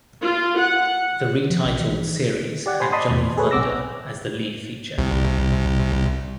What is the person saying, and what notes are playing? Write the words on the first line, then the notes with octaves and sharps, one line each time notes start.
The retitled series had Johnny Thunder as the lead feature.
F4
F#5
F3
A#1
E3
G4 D5 F#5
C5 G#5 B5 C6
D5 D#5 A5 B5 C6 D#6
E2 A2
G#4 A4 B4 C#5
B1 B3 C4 D6 E6 A#6
C2